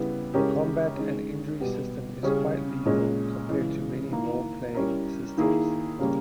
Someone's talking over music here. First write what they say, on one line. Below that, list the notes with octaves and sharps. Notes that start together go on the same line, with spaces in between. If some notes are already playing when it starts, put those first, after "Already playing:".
The combat and injury system is quite lethal, compared to many roleplaying systems.
Already playing: C#3 G3 B3 E4
C#3 G#3 C#4 G4 A#4
D#3 G#3 C#4
B2 G3 B3 G4
C#3 G3 C#4 G#4
A#2 G#3 C#4
C#3 E3 G#3
D#3 A#3 E4
G3 C#4 E4 A#4
D#3 A#3 E4 G#4
C#3 G3 A#3 C#4